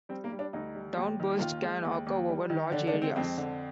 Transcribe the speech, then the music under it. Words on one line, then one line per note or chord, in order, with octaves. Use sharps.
Downbursts can occur over large areas.
G3 C4
A#3
G3
D4
D2 D#4
G3
D#2
D#3
D#2 F4
G#3
D#2
D#2
G3
D#3
D3 D4
D4
G#3
C4
F2 C4
D3